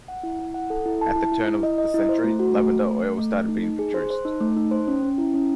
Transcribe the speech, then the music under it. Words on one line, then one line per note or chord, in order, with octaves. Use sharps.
At the turn of the century, lavender oil started being produced.
F#5
E4
E4
F#5
A4
E4
A5
E4
E4
E4
D#5
D#5
E4
C5
A3
F#4
A3
A3
A3
A3
A3
A3
D#4
D#4
G#4
C5
C5
D#4
A3
D#4
C5
C#4
C#4
E4
C#4